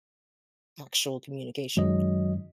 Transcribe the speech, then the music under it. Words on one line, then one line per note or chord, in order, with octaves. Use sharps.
actual communication.
F#2 D#3 F#3 G#3 D#5